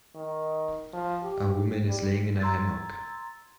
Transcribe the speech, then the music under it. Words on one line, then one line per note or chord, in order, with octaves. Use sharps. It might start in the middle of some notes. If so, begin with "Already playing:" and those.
A woman is laying in a hammock.
D#3
F3
G4
G3
A#5 C6 E6 G#6 A6